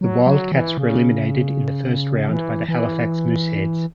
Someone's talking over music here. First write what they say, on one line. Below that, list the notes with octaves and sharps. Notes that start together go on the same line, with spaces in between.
The Wildcats were eliminated in the first round by the Halifax Mooseheads.
F#3
F#3
E3
C#3
E3
E3